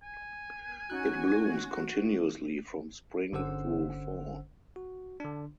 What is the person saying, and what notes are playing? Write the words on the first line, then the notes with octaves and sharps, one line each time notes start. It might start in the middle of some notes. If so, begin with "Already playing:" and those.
It blooms continuously from spring through fall.
G#5
C#4 D#4 F#4 F#6
G1 D3 C#4 C5 F#5 E6
F#4
D3 D4